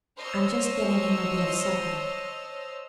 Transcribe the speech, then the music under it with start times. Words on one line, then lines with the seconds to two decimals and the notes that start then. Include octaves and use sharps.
I'm just getting him a bit of supper.
0.19 C5 C#5 D#5 A5 E6 F6